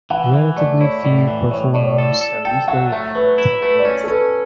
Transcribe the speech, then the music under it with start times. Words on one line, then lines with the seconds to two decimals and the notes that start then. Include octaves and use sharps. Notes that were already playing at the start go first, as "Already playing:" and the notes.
Relatively few performers are equally adept at both.
0.10 E3 F#5
0.33 E3 E5
0.56 A3 D5
0.81 E4 C#5
1.03 A2 D5
1.28 E3 E5
1.51 A2 C#5
1.74 A2 D5
1.83 C#5
1.91 D5
1.98 A4
2.21 A4
2.45 A4 G5
2.68 F#3 F#5
2.91 A3 E5
3.15 F#3 B4
3.38 E4
3.61 A3 B4
3.79 D5
3.85 C#4 C#5
4.04 A4
4.08 C#4 B4